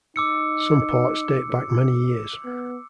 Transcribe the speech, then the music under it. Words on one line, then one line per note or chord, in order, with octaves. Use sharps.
Some ports date back many years.
D#4 D6 E6 C#7
B3